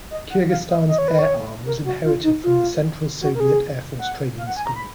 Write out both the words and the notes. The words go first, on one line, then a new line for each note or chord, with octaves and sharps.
Kyrgyzstan's air arm was inherited from the central Soviet air force training school.
D#5
F#5
F5
D#5
D#5
C#5
B4
C#5
A#4
F#4
F4
D#4
F4
F#4
A#4
G#4
F#5
F5
F#5
G#5
A#5
B5